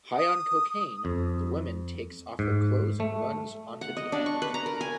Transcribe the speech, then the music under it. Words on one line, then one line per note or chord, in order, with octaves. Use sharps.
High on cocaine, the woman takes off her clothes and runs onto the island.
D#6
F2
G#2
A3
F#5
D#5
D4
C#6
B4
A#5
A#4
G#5